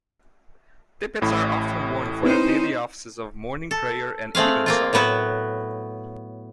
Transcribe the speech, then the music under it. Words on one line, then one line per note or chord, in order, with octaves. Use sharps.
Tippets are often worn for the Daily Offices of Morning Prayer and Evensong.
A1 A2 B5
C4 C#4 D#4 E4 B4 C5
A4
A3 C4 G#4 F5
A#3 C4 F4
A2 F#3 B3 F#4